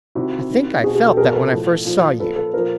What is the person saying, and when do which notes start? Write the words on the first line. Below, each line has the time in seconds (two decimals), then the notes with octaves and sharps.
I think I felt that when I first saw you.
0.15 C3 D#3 E4 F#4
0.50 C3 D#3
0.84 B2 F#4 G#4
0.95 F#4 G#4
1.06 G4 A4
1.17 B2 G#4 A#4
1.34 A4 B4
1.52 A2 F3
1.85 A#2 F3
2.19 A#2 F3 A4 B4
2.36 A4 B4
2.53 A#2 F3 A#4 C5